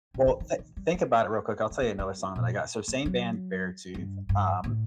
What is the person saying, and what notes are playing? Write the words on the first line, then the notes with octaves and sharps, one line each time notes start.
Well, thi think about it real quick. I'll tell you another song that I got. So same band, Beartooth, um,
C3
D3
D#3
D#3
G3
A3
A3
A#3
G3
A#2
A3
F#3
G2
G2
A2